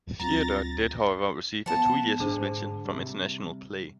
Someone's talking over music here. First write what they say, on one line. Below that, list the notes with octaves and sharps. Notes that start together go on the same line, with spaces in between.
Theodore did, however, receive a two-year suspension from international play.
D2 F#3 C4 F4 A#5 A6 A#6
F3 B3 F#5 A5
G#2 D3 D4 G#4 C5
C3 G3